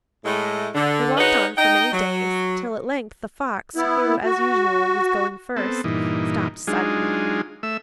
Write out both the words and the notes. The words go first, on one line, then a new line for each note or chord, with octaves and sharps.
They walked on for many days, till at length the fox, who, as usual, was going first, stopped suddenly.
A2 G#3 A3
D3
D#4 G#4 B4 C#5 D#5 F#5
D#4 D#5 G5
F#3
B3 E4
F#4
B3 C4 A4
G2 A#2 E3 D#4
F#3 G#3 D4 D#4 F4 G#4
A3 E5 E6